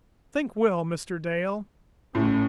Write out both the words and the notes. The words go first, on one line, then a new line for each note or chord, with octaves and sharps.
"Think well, Mr. Dale!"
A2 A3 C#4